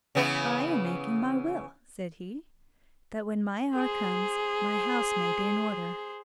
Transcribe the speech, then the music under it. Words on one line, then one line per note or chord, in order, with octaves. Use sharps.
'I am making my will,' said he, 'that when my hour comes my house may be in order.'
C#3 E3 B3
G#4 C5